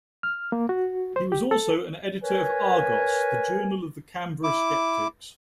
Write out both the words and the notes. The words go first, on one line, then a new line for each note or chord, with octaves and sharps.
He was also an editor of "Argos", the journal of the Canberra Skeptics.
F6
A#3
F#4
C5
G4
A4
A#4 B4 C#5 G#5
E4 D6